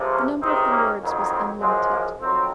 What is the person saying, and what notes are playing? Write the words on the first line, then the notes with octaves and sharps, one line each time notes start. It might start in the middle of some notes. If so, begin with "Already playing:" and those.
The number of the Lords was unlimited.
Already playing: C#2 C3 F3
A#3 C#4
C#2 C3 D#3 C4 D#4
A#3 C#4
F2 D#3 F#3
C4
F#2 F3 G#3 C4
A#3
F2 D#3 F#3 C4